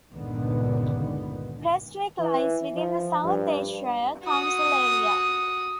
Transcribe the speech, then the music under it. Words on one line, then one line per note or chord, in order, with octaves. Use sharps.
Prestwick lies within the South Ayrshire Council area.
C#2 G2 A#2 D3 D#3 B3
E3
F3
G2
F#4 D#6